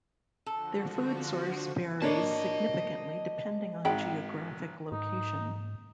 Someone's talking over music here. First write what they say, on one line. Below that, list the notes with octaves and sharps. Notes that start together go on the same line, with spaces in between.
Their food source varies significantly depending on geographic location.
D3 F3 F#4 A4
A#3 D4 C#5 D#5 A5
G#1 G#4 G5 B5
G#2 D#4